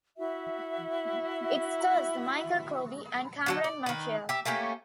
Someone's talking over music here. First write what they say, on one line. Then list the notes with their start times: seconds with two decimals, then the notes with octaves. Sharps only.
It stars Michael Coby and Cameron Mitchell.
0.17 E4 F#4 E5
3.46 D3 F#3 A4
3.64 D5
3.86 D#3 B4
4.29 G4 E5
4.45 A3 A#3 C#4 G4